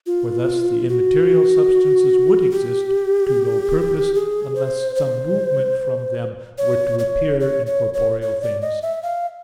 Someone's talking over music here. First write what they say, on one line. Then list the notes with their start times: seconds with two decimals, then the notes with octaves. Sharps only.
For thus the immaterial substances would exist to no purpose, unless some movement from them were to appear in corporeal things.
0.06 F4
0.88 F#4
2.51 G4
4.15 G#4
4.55 C5
4.96 C5
6.58 C#5
6.99 C#5
7.40 C#5
7.66 C#5
7.94 C#5
8.22 C#5
8.42 D5
8.62 D#5
8.82 E5
9.03 F5